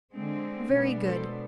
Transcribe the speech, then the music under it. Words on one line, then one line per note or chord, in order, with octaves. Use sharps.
Very good.
D3 G#3 C4
B2 G#3 B3 D4
A4 C5